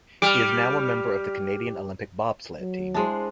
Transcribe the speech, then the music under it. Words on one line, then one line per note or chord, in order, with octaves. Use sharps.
He is now a member of the Canadian Olympic Bobsled Team.
G3 D6 F6
F#3
G#3 D4 E4 C5